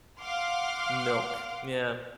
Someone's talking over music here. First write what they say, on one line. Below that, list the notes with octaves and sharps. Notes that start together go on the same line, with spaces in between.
Milk, yeah.
F5 F#5 C6 D6 F6